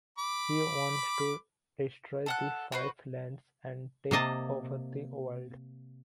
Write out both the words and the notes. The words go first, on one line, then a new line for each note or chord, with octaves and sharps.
He wants to destroy the Five Lands and take over the world.
B5 D6
A4 F#5 F#6
F#4 B4 C5
C3 A#3 D#5 A5